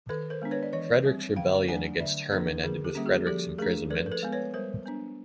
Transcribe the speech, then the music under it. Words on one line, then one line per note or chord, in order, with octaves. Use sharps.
Frederick's rebellion against Hermann ended with Frederick's imprisonment.
D#3 A4 B4
A#4 C5
G#3 B3 D4
B4 C#5
D5
E3 C#5 D#5
G3 C4
D3 F5 G5
F#3 A3 D4 F#5 G#5
D3 D5 E5
F3 A#3 D4 A4 B4
D3 G#4 A#4
G4 A4
G3 A#3 C#4
F#4 G#4
F3 G4 A4
A3 D4 G#4 A#4
F3 A4 B4
A#4
A4 B4
G#3 B3
B4 C#5
G3 A#4 C5
B3 D4